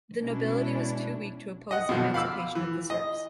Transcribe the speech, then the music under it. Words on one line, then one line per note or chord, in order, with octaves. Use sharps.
The nobility was too weak to oppose the emancipation of the serfs.
B2 G#3 C#4 D4 E4
D#5 F#5
B2 D3 F3
F5 B5 D6 E6
E3
D#5